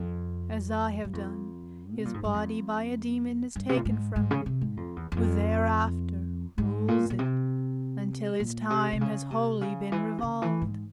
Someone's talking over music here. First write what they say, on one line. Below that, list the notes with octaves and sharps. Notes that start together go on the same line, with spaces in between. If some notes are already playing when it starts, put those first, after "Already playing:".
As I have done, his body by a demon Is taken from him, who thereafter rules it, Until his time has wholly been revolved.
Already playing: F2
G2
F2
C3
A#2
G#2
G2
F2
G2
C3
A#2
G#2
G#2
C#3
C3
G#2
F2
E2
E2
F2
G#2
A#2
A#2
C3
A#2
C3
C3
C#3
C3
C#3
E3
C3
C#3
E3
G#2